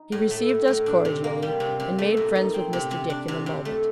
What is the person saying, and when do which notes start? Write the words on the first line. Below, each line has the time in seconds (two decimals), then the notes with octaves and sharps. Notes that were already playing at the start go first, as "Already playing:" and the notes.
He received us cordially, and made friends with Mr. Dick in a moment.
Already playing: D#4
0.12 A2
0.31 A3
0.49 A2
0.68 A2
0.86 D4
1.05 C3
1.24 A#3
1.42 G3
1.60 C3
1.80 C3
1.98 A3
2.17 A#2
2.35 D#4
2.54 C4
2.73 C3
2.91 C3
3.10 D4
3.28 C3
3.46 C3
3.65 A3